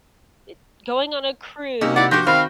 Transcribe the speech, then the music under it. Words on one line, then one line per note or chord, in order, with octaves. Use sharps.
eh, going on a cruise,
C3 A#3 C#4 D#4
E4 D5 F#5
F3 D4 F#4 G4 D6 G6 A#6
D#3 C4 F#4 F5 B5